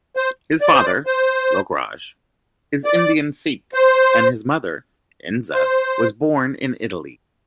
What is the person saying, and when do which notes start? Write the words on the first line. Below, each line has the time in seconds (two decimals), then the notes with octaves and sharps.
His father, Lokraj, is Indian Sikh and his mother, Enza, was born in Italy.
0.17 C5
0.61 D5
0.73 C5
0.85 D5
1.06 C5
2.85 D5
3.74 C5
5.54 C5